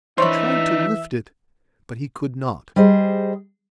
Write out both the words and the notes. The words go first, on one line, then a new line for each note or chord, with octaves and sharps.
He tried to lift it, but he could not.
E3 D4 D#4 C5 C#5 E5 B5
G3 G#4 C5 D#5